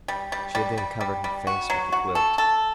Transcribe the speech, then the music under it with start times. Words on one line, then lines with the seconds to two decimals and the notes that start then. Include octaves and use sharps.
She had then covered her face with the quilt.
0.08 G3
0.32 G3
0.55 G3
0.78 G3
1.01 G3
1.24 G3
1.47 F#4
1.70 F#3
1.92 F#4
2.15 A4
2.38 A4